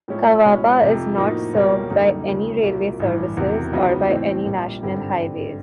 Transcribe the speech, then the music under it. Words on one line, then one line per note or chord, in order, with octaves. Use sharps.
Kawaba is not served by any railway services or by any national highways.
A2 F3 G#3 C#4 E4
C#2 B2 G#3 C#4 E4
F1 F2 C3
A2 F3 A#3 D#4 F#4
C#2 B2 G3 A#3 C#4
F#2 D3 G3 A#3 D#4
D#2 C#3 F3 G#3
C2 A#2 F#3
A1 G2 E3
E1 E2 C3 D#3 F#3
C#2 C#3 F#3 B3 D#4
A2 E3 A3 C4
A#1 A#2 G3
G#1 G2 D3 G3 C4